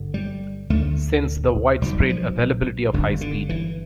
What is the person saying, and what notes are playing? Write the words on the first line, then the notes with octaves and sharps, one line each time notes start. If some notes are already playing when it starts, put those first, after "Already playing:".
Since the widespread availability of high speed.
Already playing: G1 G2 D3
G3
D2 D3 A3
B1 B2 G3
F3
G1 G2 D3
D3
E3